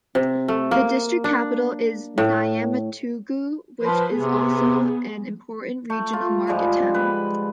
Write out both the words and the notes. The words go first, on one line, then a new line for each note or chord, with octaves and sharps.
The district capital is Niamtougou which is also an important regional market town.
C3
A3
A#3
D4
A2
F3 B4 C5
C3 B3 G#4
A3
F4
G#2 F3 G3 G#3
B4